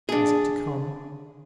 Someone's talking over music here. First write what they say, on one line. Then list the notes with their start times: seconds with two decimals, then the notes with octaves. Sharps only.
Was it to come?
0.09 D4 G#4